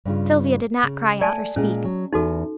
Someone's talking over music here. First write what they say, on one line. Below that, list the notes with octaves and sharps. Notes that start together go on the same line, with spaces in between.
Sylvia did not cry out or speak.
G2 C#3 F4
C#3
A3 D5 G#5 A5
A#2 G#3 C#4 G#4
F#3
E2 D#4 F#4 A4 G#5